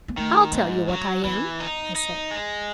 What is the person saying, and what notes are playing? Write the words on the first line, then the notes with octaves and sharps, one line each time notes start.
"I'll tell you what I am," I said.
B3
D#3 A3
G#2 B3
F#3 C#4
E3 B3
D#4
D#4
G#3